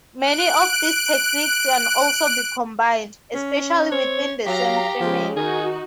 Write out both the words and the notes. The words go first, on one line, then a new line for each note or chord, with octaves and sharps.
Many of these techniques can also be combined, especially within the same family.
F#6 D7
C#4
C4 C#5
F#3 G4 F5 A#5
C#3 F3 G#3
D#3 D#4 F#4 G#4